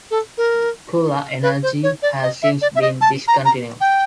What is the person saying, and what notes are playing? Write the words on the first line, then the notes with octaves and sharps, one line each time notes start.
Coolah Energy has since been discontinued.
A4
A#4
B4
C5
C#5
D5
D#5
E5
D5
E5
D#5
A5
A#5
A#5
G5